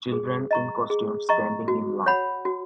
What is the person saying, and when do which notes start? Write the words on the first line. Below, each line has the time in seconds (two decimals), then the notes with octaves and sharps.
Children in costumes standing in line.
0.12 G#4
0.51 D#5 A#5 C#6
0.90 G#4
1.29 D#5 A#5 C#6
1.68 F#4
2.06 C#5 F#5 B5
2.45 F#4